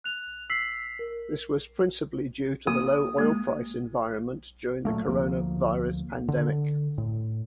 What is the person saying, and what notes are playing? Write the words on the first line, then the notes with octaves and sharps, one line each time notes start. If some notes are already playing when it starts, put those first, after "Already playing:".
This was principally due to the low oil price environment during the coronavirus pandemic.
F#6 F7
E6 B6 C7 F#7
A#4
A#3 D#6
G#3 A#3 G4
A#2 F#3 A3 A#3
D2 F3 A#3
D3
A2